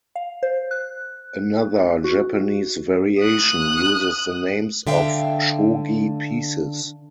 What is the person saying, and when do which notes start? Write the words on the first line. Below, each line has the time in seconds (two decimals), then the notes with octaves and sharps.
Another Japanese variation uses the names of shogi pieces.
0.16 F5
0.43 C5
0.71 F#6
2.04 F#4
3.19 D#6 F#6
4.87 D3 E5 F5 G5